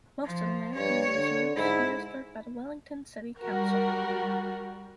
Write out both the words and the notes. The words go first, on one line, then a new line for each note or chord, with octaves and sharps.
Most of the land in the reserve is administered by the Wellington City Council.
F3
G2 C#5
D3
G#2 E4
G3 F#4 A#4